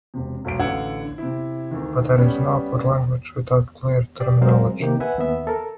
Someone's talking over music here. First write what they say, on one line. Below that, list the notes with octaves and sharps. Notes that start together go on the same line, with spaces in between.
But there is no good language without clear terminology.
E1 C3
E1 B1 D7
A1 D3 F5 F#5 E6 G#6
C3 E4
D2 D#3
G3 B3 C#4
G4 D5
F#3 G#3 C4 A#4 C5 F5
C3 D#3 A#3 G4
B4 E5 F#5 G#5
D#2 B3 E5
A4 A#4